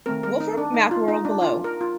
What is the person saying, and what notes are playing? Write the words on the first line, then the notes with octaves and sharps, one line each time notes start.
Wolfram MathWorld below.
D#3 A3 C4 A#4
A#4
D#4
D4
D#4
F4
D#4
D4
F4
A#4
F4